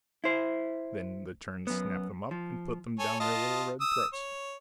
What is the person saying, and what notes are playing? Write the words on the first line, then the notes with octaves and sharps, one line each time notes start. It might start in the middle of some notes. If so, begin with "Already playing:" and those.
Then the terns snap them up, and put them down their little red throats.
E4 C5
F#2 B3
F3
A4 C#5 G#5
F4 D#5 A5
D#6 E6
C#5